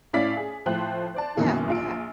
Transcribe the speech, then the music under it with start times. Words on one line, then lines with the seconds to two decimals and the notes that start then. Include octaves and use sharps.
Yeah, yeah.
0.13 A2 C#4 E4 D5 F5 B6
0.37 G#4
0.66 A2 F3 C5 G5 F#6
1.14 C5 D5 A5
1.37 F#2 B2 D#3 E3 A#3
1.68 A#1 F4 D7